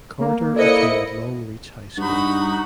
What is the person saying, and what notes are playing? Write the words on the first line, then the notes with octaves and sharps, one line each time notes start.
Carter attended Long Reach High School.
A#3
E4 A4 C5 D5 D#5 C#7
G2 D#4 F#4 B5